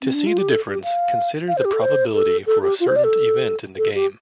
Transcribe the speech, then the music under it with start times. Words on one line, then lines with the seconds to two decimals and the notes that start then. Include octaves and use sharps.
To see the difference, consider the probability for a certain event in the game.
0.02 C4
0.14 D4
0.26 F4
0.38 G4
0.49 A4
0.67 G4
0.83 F5
1.48 F5
1.57 C5
1.65 G4
1.73 A4
1.81 C5
2.14 A4
2.46 A4
2.62 G4
2.80 F4
2.87 C5
2.96 D5
3.04 A4
3.78 A4
3.95 G4